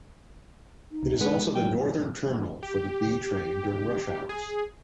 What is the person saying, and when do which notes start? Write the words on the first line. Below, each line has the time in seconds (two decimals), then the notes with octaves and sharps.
It is also the northern terminal for the B train during rush hours.
0.92 D#4
1.03 C#2
1.21 G#3 B3
1.55 F#3 G5
2.63 G4
4.29 G#4